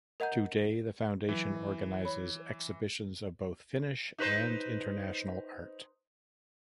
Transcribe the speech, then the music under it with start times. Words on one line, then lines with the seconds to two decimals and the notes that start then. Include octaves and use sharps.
Today the Foundation organizes exhibitions of both Finnish and international art.
0.20 A#4 D#5 F#5 A#5 G6
1.29 E3 F#3
2.05 C#5 B5
4.18 D#4 B4 C5